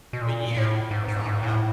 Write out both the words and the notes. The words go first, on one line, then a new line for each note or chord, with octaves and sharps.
a year. That's not bad.
B2
A#2
A2
G#2
G#2
G#2
A2